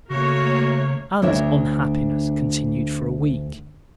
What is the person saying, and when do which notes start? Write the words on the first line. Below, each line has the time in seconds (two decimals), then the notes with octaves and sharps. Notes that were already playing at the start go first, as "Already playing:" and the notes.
Anne's unhappiness continued for a week.
0.10 C#3 A3 A#3 F#4 C#5
1.22 D2 D4 C#5 E5